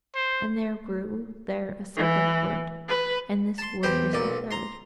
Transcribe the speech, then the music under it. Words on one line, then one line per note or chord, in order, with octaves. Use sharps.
And there grew there a second wood, and this wood is the third.
C5
E3
B4
A5 C6
E2 G4 C5 G5 B5
B1 A#2 D5
A#5 C6